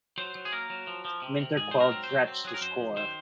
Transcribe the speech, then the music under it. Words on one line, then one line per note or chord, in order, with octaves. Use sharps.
Minter quelled threats to score.
F#3 C5
F#3
G#4
A#3 A#4
F#3
F3
F3
C3
C3
G#2 G#4
F#3 C5
A#4
C4
C5
F#3
C4
F#3 G#4
A#4
F#2 C5
F#2
D#3 C5